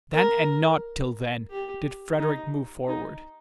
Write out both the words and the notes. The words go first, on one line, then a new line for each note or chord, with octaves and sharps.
Then and not till then did Frederick move forward.
A#4
G4
D#4
D#4